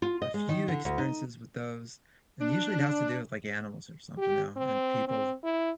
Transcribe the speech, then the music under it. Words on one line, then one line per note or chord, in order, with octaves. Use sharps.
a few experiences with those, and usually it has to do with, like, animals or something now, and people,
F4
D#5
G#3
D#3
D3
D2
D#4
D4
G4
C4
C4
E4